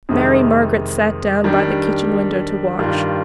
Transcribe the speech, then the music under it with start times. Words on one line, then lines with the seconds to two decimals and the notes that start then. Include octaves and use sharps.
Mary Margaret sat down by the kitchen window to watch.
0.09 F2 C3 D#3 G#3
1.44 D#3 G3 D4
2.79 G2 D#3 G3 D4 F4